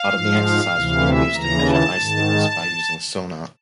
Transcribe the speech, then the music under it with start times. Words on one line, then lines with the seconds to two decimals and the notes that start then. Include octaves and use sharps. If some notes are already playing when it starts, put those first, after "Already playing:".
Part of the exercise was being used to measure ice thickness by using sonar.
Already playing: F5
0.11 G#2 F3
0.73 D2 C3 E3
1.04 E5
1.34 D#2 C#3 E3 A#5
1.65 A5
1.96 G#2 D#3